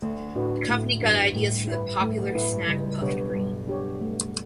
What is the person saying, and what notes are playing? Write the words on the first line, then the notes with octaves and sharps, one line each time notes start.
The company got ideas from the popular snack puffed grain.
D2 D3 A3
A2 D4 F#4 B4
A2 A3
G2 D4 F#4 B4
A2 A3
G2 E4 B4
A2 A3
B1 B2
A2 E4 B4
G2
C#2 C#3 G3
B1 B2 D4 G4 C#5
G2 G3
D4 G4 C#5
A3